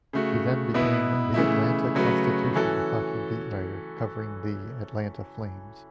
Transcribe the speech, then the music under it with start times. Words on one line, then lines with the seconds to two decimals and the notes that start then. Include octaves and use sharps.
He then became "The Atlanta Constitution" hockey beat writer, covering the "Atlanta Flames".
0.13 C#3 A3 F#4
0.74 B2 B3 E4 B4
1.34 C#3 E3 A3 E4
1.95 C#3 F#3 A3 F#4 B4
2.55 E3 C#4 F#4 A4